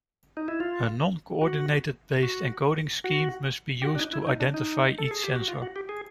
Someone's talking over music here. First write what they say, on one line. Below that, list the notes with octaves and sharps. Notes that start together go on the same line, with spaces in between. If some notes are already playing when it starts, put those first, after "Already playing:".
A non-coordinate based encoding scheme must be used to identify each sensor.
D#4
E4
F4
F#4
F#4
F#4
G4
F#4
D4
D#4
E4
D#4
D4
D#4
A4
G#4
G4
F#4
F4
F#4
G4
G#4